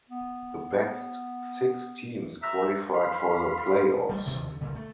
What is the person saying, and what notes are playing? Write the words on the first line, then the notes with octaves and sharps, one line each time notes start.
The best six teams qualified for the playoffs.
B3
E5 A#5
F5 B5 C6
G3 A3
D#2 C3 E3 F3
D3
C2 A#2 D3
A3